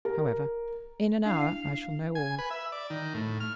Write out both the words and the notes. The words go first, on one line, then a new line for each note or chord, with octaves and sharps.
However, in an hour I shall know all.
A#4
D4 E4 F5
G#5
B4
E5
D5
D#3
A2
F6